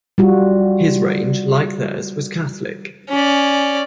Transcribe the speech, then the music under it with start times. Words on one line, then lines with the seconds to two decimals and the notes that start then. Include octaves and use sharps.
His range, like theirs, was Catholic.
0.18 G3 F4 F#4
3.09 C#4 D5